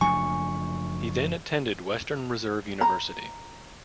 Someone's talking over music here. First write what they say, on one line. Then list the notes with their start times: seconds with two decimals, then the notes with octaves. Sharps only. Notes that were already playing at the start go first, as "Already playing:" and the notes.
He then attended Western Reserve University.
0.01 F#1 F3 A3 D4 G#5 C#6
2.81 A#5